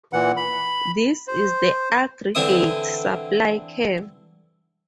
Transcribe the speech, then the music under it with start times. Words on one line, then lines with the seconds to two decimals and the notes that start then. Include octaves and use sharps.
This is the aggregate supply curve.
0.13 A#2 E3 F#5
0.37 B5
1.28 C5
2.35 D3 E3 C4 E5 D#6